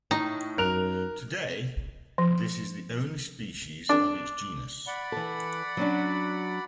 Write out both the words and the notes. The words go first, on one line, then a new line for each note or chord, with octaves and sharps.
Today, this is the only species of its genus.
A2 D#4
F#2 A#4 F#6 F7
F3
D4
D5 F#5 B5
E3 A4
F#3 C#4 D4